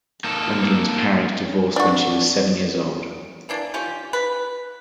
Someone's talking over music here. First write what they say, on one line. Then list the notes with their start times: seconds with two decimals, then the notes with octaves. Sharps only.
Gwendolyn's parents divorced when she was seven years old.
0.24 A#3 D#4 A4
1.76 D4 F#4
3.49 E3 A#3 D4
3.74 C#4 F4 G4
4.13 B4